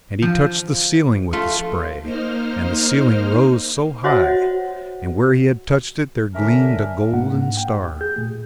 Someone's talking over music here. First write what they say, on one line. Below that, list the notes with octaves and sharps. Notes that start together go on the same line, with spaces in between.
And he touched the ceiling with the spray, and the ceiling rose so high, and where he had touched it there gleamed a golden star.
F3
A3 F4
A#3 D#4 C5 F6
F#4 C5 C#5 D#5 E5 F#5
D3 C#4 D4 A#4 E5
G#2 A#3 D4 F#5
G5
G4
G#4 G6
A#2 A3